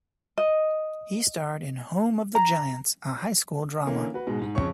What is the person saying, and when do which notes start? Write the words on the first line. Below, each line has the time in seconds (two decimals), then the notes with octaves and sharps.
He starred in "Home of the Giants", a high school drama.
0.38 D#5
2.35 A#5
3.86 D3 E3 A#3 C#4
4.14 F#4 B4
4.27 G#2 B2 G#3
4.42 G#2
4.55 F2 C#3 C#5 C#6